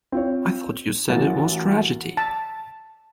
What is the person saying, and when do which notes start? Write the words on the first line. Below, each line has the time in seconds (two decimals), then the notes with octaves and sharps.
I thought you said it was a tragedy.
0.12 C4 F4 C#5
1.09 A1 E3 F#4 A#4 A6
2.17 A5